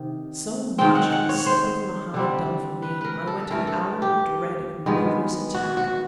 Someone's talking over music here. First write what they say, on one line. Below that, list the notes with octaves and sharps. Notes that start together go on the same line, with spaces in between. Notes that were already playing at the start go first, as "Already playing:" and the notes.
So much had the slipper of Mohammed done for me: I went in hourly dread of murderous attack!
Already playing: C3 D#3
D#3 G#3 C4 G5
F#5
F#5
C#5
C5
D3 G3 C4
B4
A#4 B4
A4
A4
G2 E3 A3 A#4
A4
G4
G2 D#3 G#3 B3
F#4
F#4